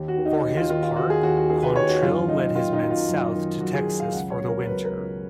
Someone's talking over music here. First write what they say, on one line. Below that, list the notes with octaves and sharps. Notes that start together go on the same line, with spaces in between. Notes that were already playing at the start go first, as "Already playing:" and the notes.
For his part, Quantrill led his men south to Texas for the winter.
Already playing: D#2
F#4
D#3
D#4
D#2
F4
D#3 F4
F4
D#2 F#4
G#4
D#2 F#4
F#4
D#3 G#4
B4
D#2 C#5
F#4
F#2 F4
F#2 D#4
D#3 F4
D#4
F#3
F4
F#2
D#3
F#2 F#4
G#4
F#2
F5
C#2 F#5
C#5
B2
A#4
F#3 B4
A#4
C#2